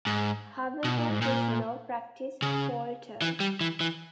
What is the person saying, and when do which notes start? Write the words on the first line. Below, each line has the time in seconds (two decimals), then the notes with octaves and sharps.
However, his law practice faltered.
0.07 G#2
0.84 B2
0.97 A#2
1.10 G#2
1.22 A#2
2.42 C#3
3.22 E3
3.40 G3
3.61 E3
3.81 E3